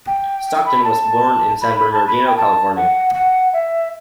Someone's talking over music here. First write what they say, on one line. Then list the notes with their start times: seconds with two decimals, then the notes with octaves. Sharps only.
Stockton was born in San Bernardino, California.
0.07 G5
0.46 G5
0.65 B5
0.84 A5
1.61 B5
1.80 B5
1.93 A5
2.07 B5
2.27 G5
2.37 A5
2.77 F#5
3.14 F#5
3.53 E5